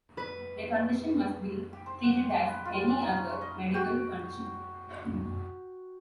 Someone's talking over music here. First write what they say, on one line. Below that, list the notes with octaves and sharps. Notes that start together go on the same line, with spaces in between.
Their condition must be treated as any other medical condition.
B4
G4
C5
F#5
G5
G4
B4
F4
D4
D#4
C#4
C#6
D#5
F#4 G5